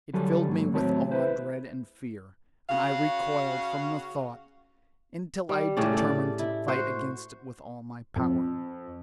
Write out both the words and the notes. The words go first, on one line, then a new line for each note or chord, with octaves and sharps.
It filled me with awe, dread, and fear, and I recoiled from the thought, until I determined to fight against it with all my power.
D3 F#3 G3 A4 G#5 A5
G#2 F#3 A#3
D#2 A2 F#3 C4 C#5 A5
E4 G#4 B4 C5
C#3 F#4 F5
G3
A2 C#3 G4 D5
A4 D5
E4
F#4 C5
F2